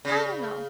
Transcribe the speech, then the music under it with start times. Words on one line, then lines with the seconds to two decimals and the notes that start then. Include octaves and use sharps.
I don't know.
0.05 C#3